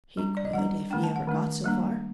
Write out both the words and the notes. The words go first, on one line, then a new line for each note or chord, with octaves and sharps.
"He could--if he ever got so far."
G3 D4
D5
D#5
G3 D4 F#5
D#3 A3 D4 G5
A5
F#5
D#3 A3 D4
G3 A#3 D4